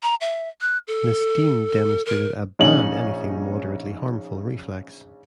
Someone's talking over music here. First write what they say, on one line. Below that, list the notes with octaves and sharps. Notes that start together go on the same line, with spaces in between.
Ms Dean demonstrated a 'ban anything moderately harmful' reflex.
A#5
E5
F#6
A4
A#4
A#1 C#4 D#4 F#7